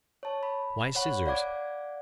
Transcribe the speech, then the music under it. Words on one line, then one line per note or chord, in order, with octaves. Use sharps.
Why scissors?
C#5 A5
B5
C#5 F#5 B5
D5 F5 F#5 D6 G#6